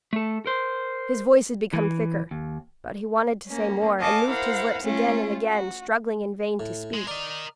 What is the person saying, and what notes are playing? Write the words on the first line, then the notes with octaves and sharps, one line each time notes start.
His voice had become thicker; but he wanted to say more, and moved his lips again and again, struggling in vain to speak.
A3 A4
A#4 C5
E3
D#2
A#3 C#4
C#5 D#5 F5 G#5 A5 D6
E4 A#4 C5 F5 F#5
A3 C#4 F4
F#4
A2
G#3
A#4 D5 D#5